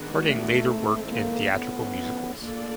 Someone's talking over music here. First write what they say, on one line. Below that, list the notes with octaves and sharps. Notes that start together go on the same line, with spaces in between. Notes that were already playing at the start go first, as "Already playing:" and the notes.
Harding later worked in theatrical musicals.
Already playing: D#3 G#3 B3 D4 F#4
A3
D#3 G#3 C4 E4 A4
A#3
D3 F3 A3 B3 C#4 E4
A3 A#3 D4 F4 A4 D5